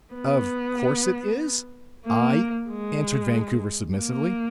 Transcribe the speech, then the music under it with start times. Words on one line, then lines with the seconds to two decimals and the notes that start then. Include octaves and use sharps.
"Of course it is I," answered Vancouver, submissively.
0.14 B3
2.06 A#3
2.70 G#3
3.97 A#3